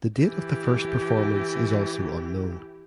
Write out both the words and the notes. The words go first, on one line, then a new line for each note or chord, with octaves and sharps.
The date of the first performance is also unknown.
E3 G4